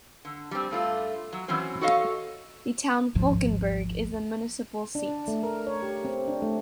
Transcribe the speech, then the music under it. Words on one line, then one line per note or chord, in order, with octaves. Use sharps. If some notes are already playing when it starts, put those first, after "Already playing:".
The town Falkenberg is the municipal seat.
D3
G3 C4
G2 A3 F4
F#3
E3 F#3 C4 C#4 C5
F#4 A4 C#5 D#5 F5
G#1 D2 G#2 F3
D4
A3
A#4
C#5
G4
C4
D4
A3